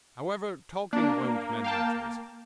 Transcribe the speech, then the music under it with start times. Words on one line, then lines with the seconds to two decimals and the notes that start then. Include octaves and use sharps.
'However, talking won't mend matters.
0.93 A#3 D4
1.64 F5 G5 A5